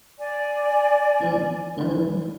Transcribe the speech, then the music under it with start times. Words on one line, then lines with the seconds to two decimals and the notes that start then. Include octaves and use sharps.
Mm Mhm.
0.19 D5 G#5